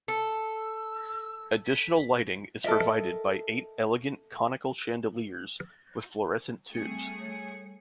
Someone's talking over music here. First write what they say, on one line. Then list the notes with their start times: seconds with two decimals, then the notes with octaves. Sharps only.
Additional lighting is provided by eight elegant conical chandeliers with fluorescent tubes.
0.08 A4
0.44 E6
1.65 B6
2.64 A4 A#4 D#5 E5
6.74 G3 A3 C4 G#4 C#7
7.19 C#5